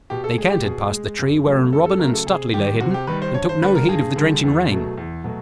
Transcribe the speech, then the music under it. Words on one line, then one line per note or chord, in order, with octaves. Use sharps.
They cantered past the tree wherein Robin and Stuteley lay hidden, and took no heed of the drenching rain.
B2 G4
A4
G#3 G#4
G4
B2 G#4
G#3
F#2
C#3 F#3 A3
F#2 A4
A4
C#3 F#3 A3 A#4
A4
C3 G#4
D#3 G3 G4
C3 F#4
G4
D#3 G3 B4
C5
G2 C#5
C5
D3 G3 B4
A#4
G2 G#4
D3 G3
E2
B2 F#3 A3
E2
B2 F#3 A3